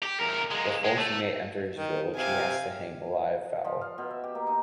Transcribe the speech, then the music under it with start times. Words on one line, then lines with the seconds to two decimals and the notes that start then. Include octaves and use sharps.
Before he may enter his village he has to hang a live fowl.
0.02 G4
0.20 E2 A#4
0.51 G#3 A#3
0.85 G#3
0.98 A3
1.76 D#3
2.16 C3 F5 G#5
3.65 F3
3.81 F5
3.98 B2
4.10 E5
4.24 G4
4.35 A#3
4.47 D#4